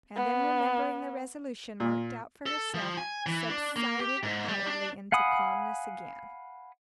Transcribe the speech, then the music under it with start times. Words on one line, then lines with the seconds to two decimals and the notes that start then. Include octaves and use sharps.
And then remembering the resolution marked out for herself, subsided outwardly into calmness again.
0.16 B3
1.80 A#2
2.46 A4
2.74 F3
2.97 G#5
3.26 E3
3.50 D4
3.76 A#3
4.00 G4
4.23 G#2
4.48 G3
4.67 D4
5.12 F5 F#5 G#5 B5 D#6